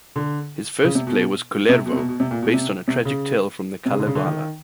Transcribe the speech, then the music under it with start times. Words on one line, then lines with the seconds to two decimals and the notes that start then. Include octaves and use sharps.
His first play was "Kullervo", based on a tragic tale from the "Kalevala".
0.16 D3
0.84 C#3
0.95 C3
1.07 B2
1.69 C3
1.86 B2
1.92 C3
1.97 B2
2.09 B2
2.20 C3
2.31 A#2
2.42 B2
2.54 C3
2.88 C3
3.05 C#3
3.86 C3
3.90 C#3
3.99 D3
4.07 C#3
4.15 D3
4.25 D#3